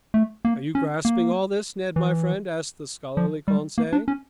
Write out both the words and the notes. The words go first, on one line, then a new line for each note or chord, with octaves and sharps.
"Are you grasping all this, Ned my friend?" asked the scholarly Conseil.
A3
A#3
C#4
A#3
E3
F3
G3
A#3
D4
C#4